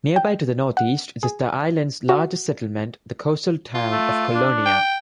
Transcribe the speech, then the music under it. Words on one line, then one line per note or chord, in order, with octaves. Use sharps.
Nearby to the northeast is the island's largest settlement, the coastal town of Kolonia.
G5
F#5
G#4
F#4
F4
A3
D4
G5